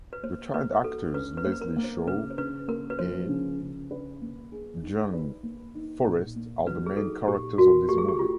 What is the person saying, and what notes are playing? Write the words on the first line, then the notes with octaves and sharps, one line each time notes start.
The child actors Leslie Shaw e Jean Forest are the main characters of this movie.
B4
A#3 C5
A#3 B4
F#4 A4
C#4 B4
B4
A#3 C5
B4
A#4
A#3
C5
C#3 B4
C5
C#3 B4
A#3 A#4
B4
F3 C5
C#3
C#3
B4
A#3
G#4
D#4
B4
A#3
D#4
A#2
A#3
F#3 B4
G#4
D#4 A4
A#2 G4
F#4 A#4
A3 G4
G#4
G4
F4 G4